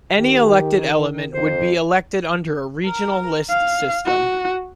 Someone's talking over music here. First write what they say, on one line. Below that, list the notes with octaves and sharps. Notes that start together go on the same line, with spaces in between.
Any elected element would be elected under a regional list system.
D#3 G4
F2 C5
A#4
F5
F#4